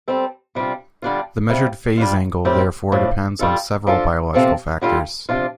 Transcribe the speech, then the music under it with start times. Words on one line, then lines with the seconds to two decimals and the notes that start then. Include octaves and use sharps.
The measured phase angle therefore depends on several biological factors.
0.08 G3 C4 A4
0.55 C3 G3 D4 F4
1.02 D3 G3 D4 F4
1.49 C3 G3 F4
1.97 G3 D4 F4
2.45 A2 G3 C4 G4
2.92 A2 F3 D4
3.39 G3 F4 A4
3.87 F3 D4 F4 A4
4.34 C3 F3 C4 A4
4.81 D3 G3 F4 A4
5.29 C3 F3 D4 F4